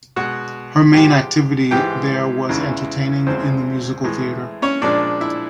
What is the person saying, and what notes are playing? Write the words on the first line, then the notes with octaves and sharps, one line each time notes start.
Her main activity there was entertaining in the musical theater.
B2 G#3 F#4 F#5
G#2 F3 G#3 G4 G5
G#2 E3 G#3 G4 G5
E2 C#3 E3 G#3
E2 C#3 F3 G#3 C4 C5
A2 E3 G#3
C#4 C#5
A#2 F3 G#3 D4 D5
E4 E5